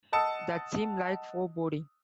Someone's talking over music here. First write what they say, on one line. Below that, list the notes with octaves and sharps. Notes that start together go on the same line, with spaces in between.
That seemed like foreboding.
D#5 F#5 A5 D#6 E6 C#7